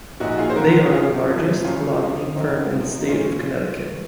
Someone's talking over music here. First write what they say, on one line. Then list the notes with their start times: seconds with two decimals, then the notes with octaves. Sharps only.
They are the largest lobbying firm in the state of Connecticut.
0.20 A#1 A#2 F3 D#4 F#4
0.38 F4 G#4
0.50 C5
0.56 C2 C3 F#3 F#4 A#4
0.92 G#1 F#2 C#3 F3 F4 G#4
1.28 F#1 F#2 F3
1.64 C#2 C#3 F#3 C#4 F4
2.01 F2 C3 F3
2.36 G#1 F#2 C#3 C4 D#4
2.73 G#1 F#2 F3
3.01 D#4
3.09 A#1 A#2 F#3 C#4 F4